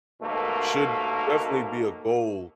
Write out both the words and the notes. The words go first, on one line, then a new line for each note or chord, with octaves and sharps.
should definitely be a goal
D#2 G#2 B2 A3 A#3